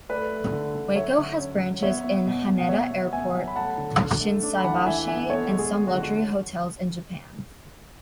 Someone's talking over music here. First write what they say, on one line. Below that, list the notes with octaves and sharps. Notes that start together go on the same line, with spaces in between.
Wako has branches in Haneda Airport, Shinsaibashi, and some luxury hotels in Japan.
A3 B4 D5
A3
D3
D3
F#3 C#5 E5
D3
C#4
F#3
B3 C#5 E5
B3
B2
B2
F#5
B3 C#5 E5
B3
B3 E5 G#5
F#3
B5
A3 F#5 A5
D3
D4
A3
D4
B5
E3 F#5 A5
E3 E5 G#5
B3 E5 G#5
B3 A4 C#5
G#3
G#4
G#3
F#4
D3
F#4